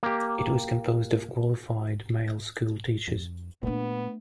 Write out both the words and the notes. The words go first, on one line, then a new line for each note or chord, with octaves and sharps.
It was composed of qualified male school teachers.
A#3 G4
F2
A#2 A3 B3 D4